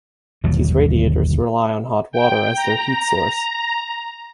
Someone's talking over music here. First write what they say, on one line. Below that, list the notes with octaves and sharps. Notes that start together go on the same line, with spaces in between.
These radiators rely on hot water as their heat source.
G1 D#2 B2 F#3
G5
A#5